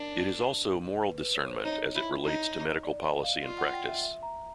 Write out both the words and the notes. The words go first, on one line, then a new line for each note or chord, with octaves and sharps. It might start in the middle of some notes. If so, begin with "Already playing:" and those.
It is also moral discernment as it relates to medical policy and practice.
Already playing: D4 A#4
B4
B4
C#5
C5
D#4 C#5
E4
D#4
D5
D#5
F5
F4 F5
F#5
G5
E5
E5
A#5